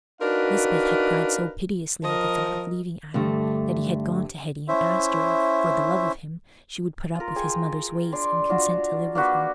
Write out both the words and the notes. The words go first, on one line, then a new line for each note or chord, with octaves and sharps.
Lisbeth had cried so piteously at the thought of leaving Adam that he had gone to Hetty and asked her if, for the love of him, she would put up with his mother's ways and consent to live with her.
D4 D#4 F#4 A#4 B4 F5
F3 A#4 D#5
G2 D3 A3
C#4 E4 C5 E5
F4 A#4
G#4 G5 G#5
D4 D5 C6
D4 F4 F#4
A#3 D4 F#4 B4